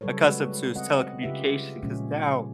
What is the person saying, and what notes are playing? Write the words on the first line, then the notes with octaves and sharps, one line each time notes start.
accustomed to s telecommunication 'cause now
C#3 F#3 G3 A4 B4 C#5
G#3 F#4 B4
C4 D#5 F#5
C#3 F4 G4 B4 E5
A#2 C#3 F3 G#3 C#4